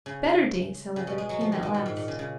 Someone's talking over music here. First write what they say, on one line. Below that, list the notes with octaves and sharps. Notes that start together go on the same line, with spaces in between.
Better days, however, came at last.
C#3
C#3
B2
G#3
F#3
F3
D#3
B2
A#2
G#2
A#2
C#3
C#3